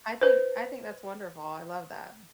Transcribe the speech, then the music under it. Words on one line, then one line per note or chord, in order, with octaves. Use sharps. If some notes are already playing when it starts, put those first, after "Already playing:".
I think I think that's wonderful, I love that.
B4 C5